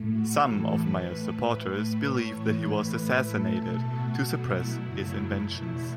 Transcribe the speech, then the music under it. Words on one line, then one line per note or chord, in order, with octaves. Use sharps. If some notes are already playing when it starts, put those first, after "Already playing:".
Some of Meyer's supporters believe that he was assassinated to suppress his inventions.
Already playing: A2 A3
F#4
A2 E3 A3 A4
B4
A2 A3
B4
A2 A3
C#5
A2 E3 A3
B4
A2 A3
A4
B2 A3
F#4
B2 F#3 A3
E4
F#2 C#3 F#3 A3
E2 B2 A3